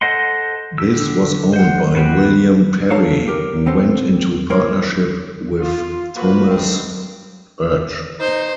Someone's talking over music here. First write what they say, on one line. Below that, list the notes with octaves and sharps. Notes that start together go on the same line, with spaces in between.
This was owned by William Perry, who went into partnership with Thomas Urch.
A4 C5 D#5 F#5 C6
D3 G4 E6
C5 F#5
B3 C4 F#4 G4 B4
A4 C#5 F5 A5 A#5
G4 A#4
B3 C4 A4 C5
G3 E4 A#4 C5 C#5
F4
F3 A#3 F4 F#4 B4
G2 D3 D#3 C4
D#4 C5